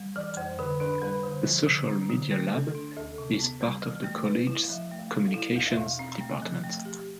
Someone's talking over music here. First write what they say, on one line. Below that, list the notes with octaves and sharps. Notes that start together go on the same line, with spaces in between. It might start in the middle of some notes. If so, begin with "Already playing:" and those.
The Social Media Lab, is part of the College's Communications Department.
Already playing: G3
E3 D5
F2 C5
D3 B4
D4 B4
G3 B4
D3 C5
F3
D3
C4
D3
A3
A4
D4
D2 A4
C3
B3
G3
E3
A3
B4
E4
F5
F3 E5
A3
F5
A4
F5
E4
E2 F5
E5
B2 F5
C4
A3
F3
A3
G4